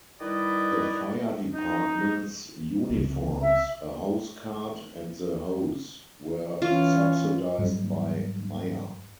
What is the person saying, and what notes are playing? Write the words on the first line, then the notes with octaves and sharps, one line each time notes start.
The fire department's uniforms, a hose cart and the hose were subsidized by Meyer.
D#3 G3 E4 B4 D5 D#5
D#4
C#2 C3
E5
E3 C#4 F4
G#2 F#3 G3